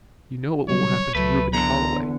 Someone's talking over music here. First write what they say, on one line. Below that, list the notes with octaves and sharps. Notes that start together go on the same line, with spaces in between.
You know what will happen to Reuben at Holloway.
C#3 F#3 G3 C#5
C#2 F#3 A3 B4
E2 D3 A#5